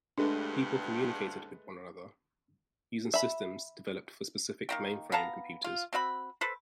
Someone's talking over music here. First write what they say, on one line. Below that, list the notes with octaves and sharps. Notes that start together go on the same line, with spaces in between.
People communicated with one another using systems developed for specific mainframe computers.
D2 G2 G#3 A3 D4 B4
E5 B5
D#3 A#3 G5
B3 F5 A5 A#5
F4
C4 F#4 E5 B5
A4 B4 C5